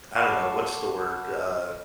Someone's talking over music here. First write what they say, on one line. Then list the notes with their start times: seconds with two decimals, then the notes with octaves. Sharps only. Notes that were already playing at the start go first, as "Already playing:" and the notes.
I don't know. What's the word, uh
0.16 F#5 A5 B5 C#6 D6 C7